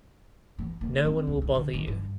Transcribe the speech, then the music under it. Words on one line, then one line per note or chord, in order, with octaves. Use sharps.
No one will bother you.
E3
A#3
C4
C#2
B1
D3
D#3
G2